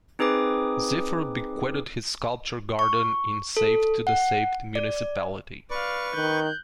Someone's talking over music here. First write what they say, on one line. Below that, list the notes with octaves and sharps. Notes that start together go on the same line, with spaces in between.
Ziffer bequeathed his sculpture garden in Safed to the Safed Municipality.
C4 D#4 G#4 B4 D6 D#6
C#6
A4
F#5
D5
B4 D5 F5 C#6
D#3 F#6 G6